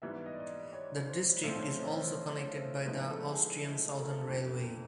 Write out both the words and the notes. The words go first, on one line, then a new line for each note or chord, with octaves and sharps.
The district is also connected by the Austrian Southern Railway.
G#2 E3 G3 B3 E5
D#5
D5
D#5
D5
C#5
C5
C#5
C5
B1 A2 F3 A3 C4 C5
C#5
C5
C#5
C5
C#5
C5
C#5
C5
A2 F3 G#3 B3 D#4 B4
A4
G#4
A4
A#4
A4
F#1 F2 D3
A4
A#4